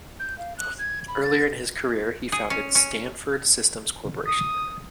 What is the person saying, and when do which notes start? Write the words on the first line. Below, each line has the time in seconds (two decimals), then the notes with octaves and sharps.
Earlier in his career, he founded Stanford Systems Corporation.
0.20 G6
0.38 F5
0.58 F#6
0.79 G#6
1.08 B5
1.24 A6
2.32 G#4
2.50 C#4
2.75 C#4
4.27 D#6